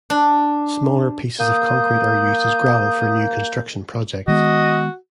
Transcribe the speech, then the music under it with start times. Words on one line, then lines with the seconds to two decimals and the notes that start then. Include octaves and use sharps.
Smaller pieces of concrete are used as gravel for new construction projects.
0.10 D4
1.40 A#3 D#6 G6
4.28 D#3 G#3 B3 F#4 D#5